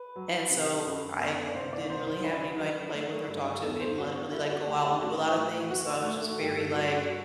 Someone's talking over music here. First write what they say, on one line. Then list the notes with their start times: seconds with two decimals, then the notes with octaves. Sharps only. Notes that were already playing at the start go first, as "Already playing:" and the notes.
And so I didn't really have anybody to play with or talk to. We didn't let really, like, go out and do a lotta things. So I was just very like
Already playing: B4
0.16 F#3
0.51 C3
0.85 F#2
1.20 B3
1.47 D5
1.55 C2 C5
1.73 D5
1.90 C2 C5
2.07 C5
2.24 D4 B4
2.59 F#3
2.93 A3
3.28 G2
3.63 E2 A4
3.80 C5
3.97 E2 F#4
4.15 F#4
4.32 G3 E4
4.50 F#4
4.66 D2 G4
4.85 G4
5.02 A2 F#4
5.37 A2
5.71 A2 F#4
6.06 A3
6.40 G2 G4
6.57 A4
6.75 G2 F#4
6.92 F#4
7.09 F#4